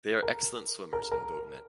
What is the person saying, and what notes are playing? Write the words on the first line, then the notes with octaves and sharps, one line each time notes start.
They are excellent swimmers and boatmen.
A#4
A#4
A#4